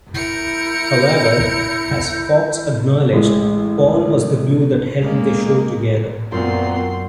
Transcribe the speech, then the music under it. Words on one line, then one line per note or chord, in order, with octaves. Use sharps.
However, as Fox acknowledged, Paul was the glue that held the show together.
E4 A#4 G6 C#7
A1 G#3
G#3 A#3
F#2 A#2 B3 C4 C6